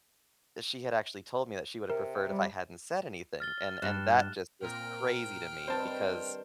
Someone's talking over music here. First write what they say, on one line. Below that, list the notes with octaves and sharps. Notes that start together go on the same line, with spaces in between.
she had actually told me that she would have preferred if I hadn't said anything, and and that just was crazy to me because,
C3 A#4
G3
F6 A6 G7
G2 F#6 E7
A#2 C4 A#4 G5 F6
G2 D#3 C4 C5 A5